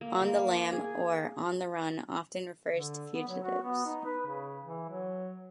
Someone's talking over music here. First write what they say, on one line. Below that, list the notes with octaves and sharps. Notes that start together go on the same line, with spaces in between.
"On the lam" or "on the run" often refers to fugitives.
A#3
A#3
G#4
D3
B3
F#3
F#4
B3
D#4
B4
C#3
E3
F#3